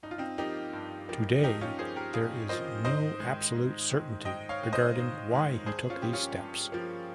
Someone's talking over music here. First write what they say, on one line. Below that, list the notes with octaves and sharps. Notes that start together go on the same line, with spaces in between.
Today, there is no absolute certainty regarding why he took these steps.
G2 D#4
F4
C4 D#4
F3 A#3 D#4 G4
G2
F3 A#3
G2 D#4 G4
C#4 F4
F3 A#3 G#4 C5
G4 A#4
G2 F4 G#4
F3 A#3 C5 D#5
G#2 C5 D#5
D#3 G#3
G#2
D#3 G#3
G#2 D#5 G5
C#5 F5
D#3 G#3
C5 D#5
G#2
D#3 G#3
G2 G#4 C5
C#4 F4
F3 A#3 G4
C#4 F4
G2
F3 A#3